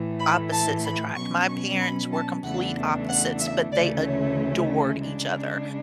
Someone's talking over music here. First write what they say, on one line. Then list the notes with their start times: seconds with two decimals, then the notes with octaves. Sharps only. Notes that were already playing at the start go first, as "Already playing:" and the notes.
opposites attract. My parents were complete opposites, but they adored each other.
Already playing: A2 E3 A3
0.20 B5
0.52 A5
0.85 B5
1.16 B2 F#3 C#4 C#6
1.48 C#6
1.80 B5
2.12 A5
2.43 E2 C#3 E3 A3 D4 F#5
3.08 F#5
3.40 E5
3.72 D2 C#3 E3 A3 C#4 D5
4.04 C#5
5.00 C#3 G#3 D4